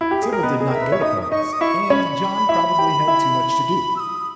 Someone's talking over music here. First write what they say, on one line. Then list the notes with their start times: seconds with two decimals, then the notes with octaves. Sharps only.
Sybil did not go to parties, and John probably had too much to do.
0.01 E4
0.11 G4
0.22 G#4
0.33 A#4
0.43 B3 B4 D#5
0.60 G#4
0.71 A#4 E5
0.81 B4
0.92 C#5
1.02 D#4 D#5 D#6
1.22 D#6
1.31 D#4 D#5 C#6
1.53 D#6
1.61 E4 E5 C#6
1.90 C#4 C#5 B5
2.49 E4 E5
2.78 G4 G5
3.07 E4 E5
3.96 E6
4.00 D#6